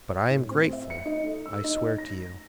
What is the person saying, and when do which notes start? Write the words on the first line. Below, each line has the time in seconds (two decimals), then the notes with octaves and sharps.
"But I am grateful, I swear to you."
0.30 A2
0.51 C4
0.73 E5
0.90 C#7
1.06 D#4
1.24 A4
1.46 E6
1.64 D#4
1.98 A#6